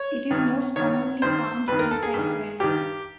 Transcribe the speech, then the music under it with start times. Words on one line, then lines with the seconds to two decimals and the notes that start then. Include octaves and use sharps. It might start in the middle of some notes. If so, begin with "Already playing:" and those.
It is most commonly found inside granite.
Already playing: C#5
0.30 G2 D#3
0.76 G2 D#3 C#5
1.22 G2 D#3 C5
1.68 G2 D#3 B4
1.79 A#4
1.91 A4
2.03 G#4
2.14 G2 D#3
2.60 G2 D#3 G4